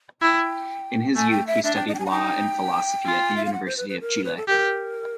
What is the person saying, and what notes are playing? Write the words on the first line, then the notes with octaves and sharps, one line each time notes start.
In his youth he studied law and philosophy at the University of Chile.
E4 G5
A3 G#5
G5
E5
D4 E5
G5
D#5
G5
G#5
F#5
D#4 G5
F4
E5
F5
F#5
C5
B4
B4
A#4
B4
A4
G4 A#4